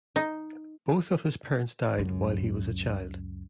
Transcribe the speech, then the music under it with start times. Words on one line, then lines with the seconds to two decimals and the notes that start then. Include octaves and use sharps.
Both of his parents died while he was a child.
0.16 D#4
1.97 C#2 F#2